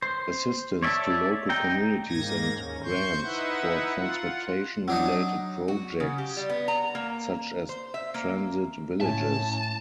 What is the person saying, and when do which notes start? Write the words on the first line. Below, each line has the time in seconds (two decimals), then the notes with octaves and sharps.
Assistance to local communities and grants for transportation-related projects, such as transit villages.
0.02 C5
0.83 C#5 D5 E5 G#5 A5
1.49 D#4 G5 A#5
2.08 G#2 A#3 G#6 A#6
2.55 D#2 C#4
2.84 C5 C6 C#6 G6
3.23 D#4 E4 B4 E5 F#5
3.94 F4 F#5
4.88 F#3 D4 D#4
5.68 F#4
6.00 C#3
6.18 G4
6.37 G3
6.49 B3
6.68 A#5
6.95 A#3
7.69 C5
7.94 E5
8.14 A#3
9.01 A2 C#4 E4 G#5 A5